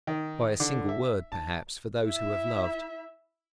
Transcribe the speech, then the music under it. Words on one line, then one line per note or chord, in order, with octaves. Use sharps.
By a single word, perhaps, for those who have loved.
D#3
D3
E5
A5
E4 E5